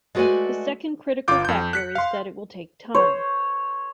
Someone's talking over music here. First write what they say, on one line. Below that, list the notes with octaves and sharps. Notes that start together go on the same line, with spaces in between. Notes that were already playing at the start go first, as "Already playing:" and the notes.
The second critical factor is that it will take time.
G#3 A3 F#4 B4 D5 G#5
G1 F4 D6 G6
F2 G6
F#6 B6 C#7
F5 C6
C5 C#5